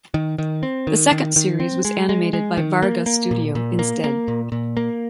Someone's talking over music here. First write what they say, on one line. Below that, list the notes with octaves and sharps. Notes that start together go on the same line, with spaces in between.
The second series was animated by Varga Studio instead.
D#3
D#3
C4
D#3
D#3
D#3
C4
G#3
G#3
G#3
D#3
A#3
A#3
A#2
A#2
A#3
A#3
A#2
A#2
A#3